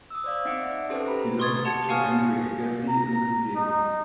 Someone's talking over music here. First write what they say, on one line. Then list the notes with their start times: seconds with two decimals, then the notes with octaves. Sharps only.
He lost to Andre Agassi in the semis.
0.10 D#6 E6
0.24 C5 D5 F5
0.45 C4 D#4 D5 F#5 C#7 D7
0.61 E5
0.89 C#4 G4 A4 B4 C5
1.06 C5 A#5 B5
1.40 C6 C#6 D#6 G#6 A6
1.65 G4 F#5 A5 G#6 A6 C#7
1.89 F5 F#5 G#5 C#6 D#6 F6
2.26 F5
2.89 A#5
3.55 D#4